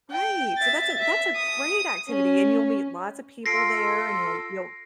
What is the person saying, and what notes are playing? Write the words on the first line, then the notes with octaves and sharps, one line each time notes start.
Right, so that's a that's a great activity, and you'll meet lotsa people there, and you'll you'll
G5
E5 A6
E5
D#6
C#4
F4 A4 A#6 C7 D7